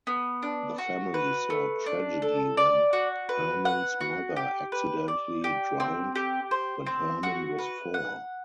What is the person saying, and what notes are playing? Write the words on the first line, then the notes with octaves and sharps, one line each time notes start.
The family saw tragedy when Hermon's mother accidentally drowned when Hermon was four.
B3
D4
F#4
B4
A3
D4
A4
D5
F#4
B4
F#5
F#4
G4
B4
D5
G4
C4
G4
C5
C4
F#4
B4
F#5